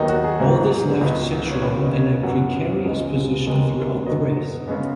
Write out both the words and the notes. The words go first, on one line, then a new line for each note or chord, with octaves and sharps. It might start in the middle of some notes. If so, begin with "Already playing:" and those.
All this left Santorum in a precarious position throughout the race.
Already playing: D#2 D#3 F#3 B3 D#4
F#4
G#4
G#2 F#3 B3
C#2 B2 B3
C#5
D#2 C#3 B3 B4
D#5
C#5
F#2 C#3 B3 F#5
C#2 C#3 G#3 B3 D#5
D#2 D#3 G#3 B3
F#2 F#3 B3 D#5
C#3 G#3 B3